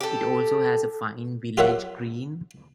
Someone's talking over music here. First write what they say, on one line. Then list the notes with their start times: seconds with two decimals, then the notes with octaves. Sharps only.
It also has a fine village green.
0.01 G4 A4
1.57 F4 G4 A#4 C#5 E5 F#5